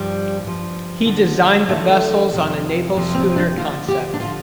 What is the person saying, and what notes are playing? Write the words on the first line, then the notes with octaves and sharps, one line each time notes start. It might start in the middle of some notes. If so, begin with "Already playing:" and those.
He designed the vessels on a naval schooner concept.
Already playing: G2 F3 G3
G2 F3
D2 D3 F3
D2 D3 F3 A3
F2 C3 F3
F2 C3 F3
C4
D4
D2 D3 F3 F4
G4
D4
D3 F3 F4